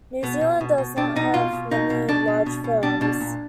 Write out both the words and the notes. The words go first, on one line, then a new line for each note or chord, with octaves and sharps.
New Zealand does not have many large firms.
B2 B3
B2
B2
B2
B2 D4
B2 D#4
B2 F4
B2
B2 D#4
B2
B2 D4
B2
B2
B2
B2 D4
B2 D4
A#2